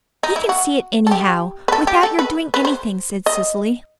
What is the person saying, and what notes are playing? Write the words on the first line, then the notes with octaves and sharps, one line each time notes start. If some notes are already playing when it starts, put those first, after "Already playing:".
"He can see it anyhow, without your doing anything," said Cecily.
D#4
E4
F#4
A4
G4
B4
A4
G4
A4
B4
B4
C5
D#5